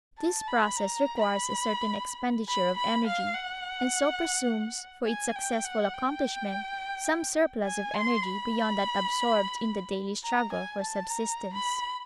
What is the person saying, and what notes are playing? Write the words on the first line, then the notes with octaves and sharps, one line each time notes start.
This process requires a certain expenditure of energy, and so presumes, for its successful accomplishment, some surplus of energy beyond that absorbed in the daily struggle for subsistence.
A5
B5
A#5
B5
B5
B5
F5
F#5
G#5
G5
F#5
G5
G#5
C6
B5
A#5
G#5
A5
A#5
B5